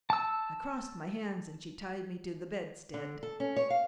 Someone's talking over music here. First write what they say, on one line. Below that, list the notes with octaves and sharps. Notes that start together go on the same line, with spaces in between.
I crossed my hands and she tied me to the bedstead.
A5 E6
D3
A4
C#4
C#5
F5